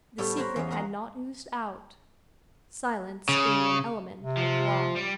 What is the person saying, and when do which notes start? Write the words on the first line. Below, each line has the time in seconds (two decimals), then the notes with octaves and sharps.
The secret had not oozed out, silence being an element of law.
0.18 A2 G3 B3 G4 A4 C#5
0.37 A#4 C5 C#5 F#5 A#5 B5
0.56 E2 C#4 D#5 F5
0.70 A#4 F5 F#5 A#5
3.29 C#3
4.22 C3
4.37 F3
4.96 G3